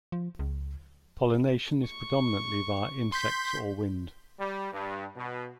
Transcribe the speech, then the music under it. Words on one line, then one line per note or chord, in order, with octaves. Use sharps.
Pollination is predominately via insects or wind.
F3
C#2
C#6
C6 G6 B6
G3
G2
B2